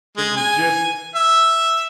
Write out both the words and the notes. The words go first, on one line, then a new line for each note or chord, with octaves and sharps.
it was just
G#3
G#5
E5